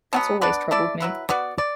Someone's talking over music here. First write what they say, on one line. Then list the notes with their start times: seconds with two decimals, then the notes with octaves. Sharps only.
That always troubled me.
0.13 B2 F#3 B3
0.41 B3 D4 B4 D5
0.71 A3 E4 D5
1.00 F#3 B3 E4 B4
1.29 B3 F#4 D5
1.58 D5